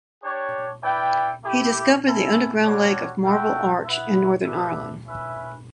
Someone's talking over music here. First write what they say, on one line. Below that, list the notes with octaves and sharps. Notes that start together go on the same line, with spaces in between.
He discovered the underground lake of Marble Arch in Northern Ireland.
D4 G4 C#5
E4 B4 D5 G5
A3 E4 G4
C#4 E4 A4
G3 D4 F#4 C#5
F#4 A4 E5 G5
B3 E4 B4 E5
A3 D4 G4 B4 E5
C#4 E4 B4 E5